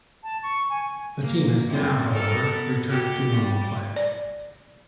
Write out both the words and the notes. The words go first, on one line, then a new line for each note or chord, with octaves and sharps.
The team has now, however, returned to normal play.
A5
C#6
G#5
A#3
F#2 G3 C4
G3 A4 A#4
B3
B2 F#4 G4
G3
D5